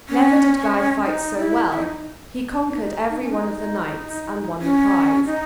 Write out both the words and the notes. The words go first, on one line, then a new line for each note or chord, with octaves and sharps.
Never did Guy fight so well; he conquered every one of the knights, and won the prize.
C#4
D#4
E4
E4
D#4
D#4
D#4
D#4
C#4
D#4
C#4
D#4